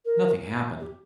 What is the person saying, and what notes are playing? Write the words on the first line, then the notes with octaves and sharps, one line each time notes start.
Nothing happened.
A#4
G4